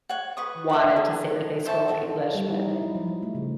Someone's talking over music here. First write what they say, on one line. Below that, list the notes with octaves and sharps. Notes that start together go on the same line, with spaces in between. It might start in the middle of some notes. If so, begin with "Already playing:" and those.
wanted to say that they spoke English, but
C#5 F#5
B4 C#6 D#6
E5 F#5
G#4
C5 E5 A5 C#6
F#4 A4
G3
D#4
E4
F#3
F3
F3
A3
C#3